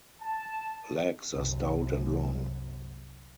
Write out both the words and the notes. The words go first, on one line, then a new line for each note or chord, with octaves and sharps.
Legs are stout and long.
A5
G1 C2 F#2